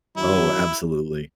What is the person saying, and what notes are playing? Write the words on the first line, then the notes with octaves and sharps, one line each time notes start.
Oh, absolutely.
F#2 D#3 F#3 E4